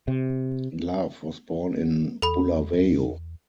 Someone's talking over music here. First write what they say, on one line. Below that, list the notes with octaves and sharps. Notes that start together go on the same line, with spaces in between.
Love was born in Bulawayo.
C3
E2 A4 B5